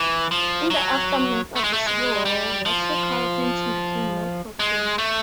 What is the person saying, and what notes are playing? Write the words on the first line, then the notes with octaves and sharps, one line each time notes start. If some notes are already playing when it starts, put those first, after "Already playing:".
In the aftermath of the Civil War, watercolor painting became more popular.
Already playing: E3
F3
F#3
A3
G#3
A3
G#3
G3
F3
G#3
A3